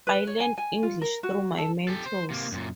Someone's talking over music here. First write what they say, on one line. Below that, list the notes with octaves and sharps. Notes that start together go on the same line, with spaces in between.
I learned English through my mentors.
B4
C#5
G#5
G#5
F4
A#4
F#4
A4
G4 A4
C5
C3 A#3
F#2 A#2